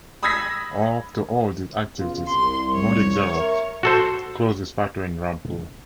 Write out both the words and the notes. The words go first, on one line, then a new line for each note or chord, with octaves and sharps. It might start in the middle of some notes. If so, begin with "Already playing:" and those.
After all these activities Modi Xerox closed its factory in Rampur.
B5 D#6 E6 G#6 A#6 B6
C#2 B2 F4
C2 C6
C#5
A#4 E5
F#4 A4 C5